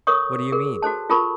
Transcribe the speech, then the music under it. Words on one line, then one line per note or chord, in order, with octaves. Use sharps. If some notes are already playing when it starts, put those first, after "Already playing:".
"What do you mean?"
A4 A#4 C#5 C#6 D#6
G#4 A#4
F#4 A4 C5 A5
F4 A4 A#4 A5 B5 C#6